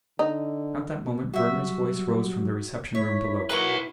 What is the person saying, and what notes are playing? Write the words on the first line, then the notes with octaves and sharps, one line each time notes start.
At that moment Werner's voice rose from the reception room below.
D3 D#4
F#3 G3 F#4 E5
E4 C#5 B5
A#3 F#4 B4 C#5 A#5